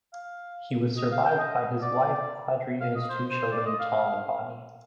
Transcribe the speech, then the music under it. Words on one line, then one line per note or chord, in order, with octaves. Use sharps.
He was survived by his wife, Audrey, and two children: Tom and Bonnie.
F5
D#5
F5
G5
D#5
D5
F5
D#5
C5
C5
D5
D#5
F5